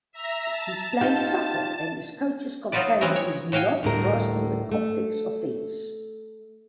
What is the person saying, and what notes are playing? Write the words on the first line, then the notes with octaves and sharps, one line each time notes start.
His play suffered and his coaches complained he was not grasping the complex offense.
E5 A#5
A5
D#4 F4 G4
F#3 D#4 F4 F#4 B4 D5
E3 F#3 G#3 B3 C4 A#4
C#5
A2 F#4 F5 G5 G#5
D2 A2 G3 A#4
A3